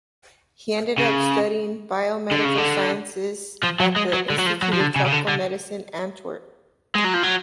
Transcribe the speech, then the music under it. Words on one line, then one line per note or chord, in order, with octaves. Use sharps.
He ended up studying biomedical sciences at the Institute of Tropical Medicine Antwerp.
C#3
D3
C#3
D3
F3
F#3
G#3
F#3
D3
F#3
F3
F#3
F3
D3
C#3
C#3
D3
D3
G#3
F#3
F3
F#3